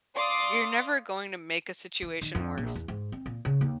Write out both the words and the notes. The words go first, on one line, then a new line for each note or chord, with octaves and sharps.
you're never going to make a situation worse
D5 F5 C6 D6 D#6
E3
D#3
F2
A#1
E2
G#2
C4
A#2
C#3
D#2